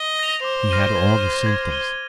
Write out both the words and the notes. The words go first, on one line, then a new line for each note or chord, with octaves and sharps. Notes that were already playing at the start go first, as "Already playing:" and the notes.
He had all the symptoms.
Already playing: D#5
A#6 F7
C5 D6
F6 A#6 D#7 G7
G#6
D#7 G7
G#6
D#7 G7